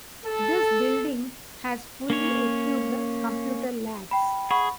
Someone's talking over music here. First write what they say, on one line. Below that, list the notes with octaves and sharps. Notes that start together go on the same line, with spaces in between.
This building has fully equipped computer labs.
A4
A#3 C#4 C#5
G5 B5
G#4 F#5 B5 C#6